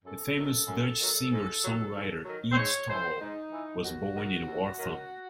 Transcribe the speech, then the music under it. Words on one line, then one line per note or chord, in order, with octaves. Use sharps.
The famous Dutch singer-songwriter Ede Staal was born in Warffum.
F#2 A4
D#3 F#3
F#2
D#3 F#3
G#2
D#3 F#3
G#2
D#3 F#3
C5
G#2 C#5
E3 C5
G#2 D#4
E3
D#2 F#4
D#3 F#3
D#2
D#3 F#3